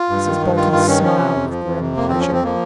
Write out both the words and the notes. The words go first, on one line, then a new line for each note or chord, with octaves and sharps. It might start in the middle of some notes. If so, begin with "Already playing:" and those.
Mrs. Bolton smiled with grim pleasure.
Already playing: F4
G2
D#3
G2
D#3 F4
G2 F4
D#3 C#4
F3 C#4
C3
F2
F3
F2
C3
F2 A#3
F3 C4
C#4
F2 C4
F3 A#3